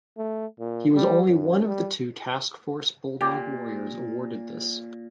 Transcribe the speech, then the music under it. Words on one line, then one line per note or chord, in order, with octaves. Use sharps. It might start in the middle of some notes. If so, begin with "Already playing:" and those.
He was only one of the two Task Force Bulldog warriors awarded this.
A3
A#2
G3
F#2
G3
A#2 G4